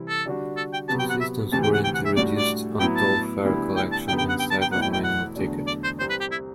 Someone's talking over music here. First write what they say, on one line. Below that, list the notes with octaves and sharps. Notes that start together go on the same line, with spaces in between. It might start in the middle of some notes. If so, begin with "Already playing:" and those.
Two systems were introduced on toll fare collection instead of manual ticket.
Already playing: C3 E3 G3 C4 E4
A4
D3 G3 D4 F#4
A4
G5
C3 F#3 B3 F#4 A5
G5
F#5
E5
D2 C3 E3 A5
G5
F#5
G5
F#5
E5
A2 G3 D4 F#4 D5
D5
A2 F#3 B3 E4 G5
A5
D2 D3 G3 B3 E4
G5
A5
F#2 D3 G3 B3 G5
G5
F#5
G5
A5
G5
E2 B2 A3 C4 E4 F#5
G5
G5
F#5
E2 D3 F#3 A3 D4
D5
C5
C2 C3 G3 C4 C5
B4
G4
E4